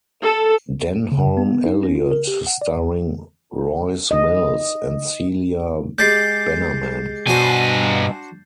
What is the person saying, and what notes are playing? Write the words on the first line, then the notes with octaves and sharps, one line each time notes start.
Denholm Elliott, starring Royce Mills and Celia Bannerman.
A4
C#3
F#2
B3
D#4
C#4
F4
A#4
G4
F#5
D5
E2
D#5
G#3 G4 D5 G6 A6 C7
G2 B2 D4 F#4 C5 G#5